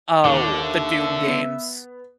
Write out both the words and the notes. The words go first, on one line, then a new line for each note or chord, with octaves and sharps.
oh, the Doom games.
D#2 D3 D6
E5
B3